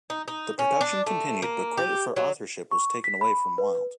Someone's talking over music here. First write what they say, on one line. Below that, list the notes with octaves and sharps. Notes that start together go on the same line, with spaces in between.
The production continued but credit for authorship was taken away from Wilde.
D#4
D#4
C#4
D4
A3
A#3
G4
F#3
C#6
B6
B5
B4